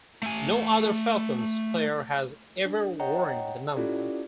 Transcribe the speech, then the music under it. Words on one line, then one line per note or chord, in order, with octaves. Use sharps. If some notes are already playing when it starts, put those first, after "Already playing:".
No other Falcons player has ever worn the number.
A3 G#5
D4
C#5 D#5 F#5 G5 A#5
C#4 E4 F4 G4 A4 D5